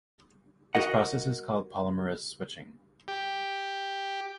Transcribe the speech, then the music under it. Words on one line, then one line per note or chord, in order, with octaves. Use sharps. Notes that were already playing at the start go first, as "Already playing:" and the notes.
This process is called polymerase switching.
F#4 A#4 D#5 F#5
G4